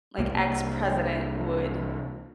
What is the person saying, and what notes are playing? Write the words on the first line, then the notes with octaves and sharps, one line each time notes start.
like, ex-president would
C2 A#3